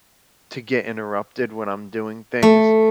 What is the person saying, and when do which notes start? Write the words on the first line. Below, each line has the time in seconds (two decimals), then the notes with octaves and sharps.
to get interrupted when I'm doing things,
2.43 A3